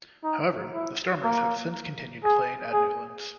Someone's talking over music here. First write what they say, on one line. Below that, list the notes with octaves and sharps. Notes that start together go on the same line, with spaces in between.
However, the Stormers have since continued playing at Newlands.
D#4
E4
A#3
G#4
G#4